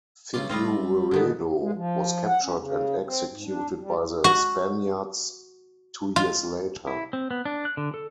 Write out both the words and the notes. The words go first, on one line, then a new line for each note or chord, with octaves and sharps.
Figueredo was captured and executed by the Spaniards two years later.
B1 C#3 F4 D6
G3 C4 F4 D#5 F5
D3 D#3 B3
G#3
F3
F#5
C#4
C#3
C4
G#2
D4
G3
F#4
F4
E4
C4
B3
D4
F#6
D3
A4